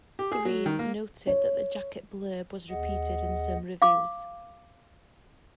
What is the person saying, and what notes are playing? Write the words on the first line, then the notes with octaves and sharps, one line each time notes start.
Green noted that the jacket blurb was repeated in some reviews.
G4
G#4
F#3
D#3
A#3
C#5
D#2 G#4 D#5 F#5
F5 D6